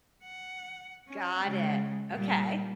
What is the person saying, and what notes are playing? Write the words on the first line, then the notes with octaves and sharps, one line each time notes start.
Got it, okay.
F#5
C#4
C#3 G#3
A#2 G3